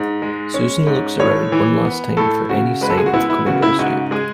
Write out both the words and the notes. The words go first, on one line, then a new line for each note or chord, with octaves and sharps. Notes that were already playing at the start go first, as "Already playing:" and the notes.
Susan looks around one last time for any sign of coming rescue.
Already playing: G#2
G#3
C#4
G#2
A2 C#5
E3
B3
A2 A4
C#3 F#4
G#3 B4
A4
G#4
F#4
B3 E4
E4
C#3 F#4
E4
G#2 F#4
G#3 G#4